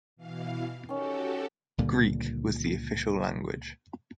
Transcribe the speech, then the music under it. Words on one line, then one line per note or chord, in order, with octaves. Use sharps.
Greek was the official language.
B2 E3 F5
D#3 C#4 F#4 G4 A4
C#2 A#2 D3 G3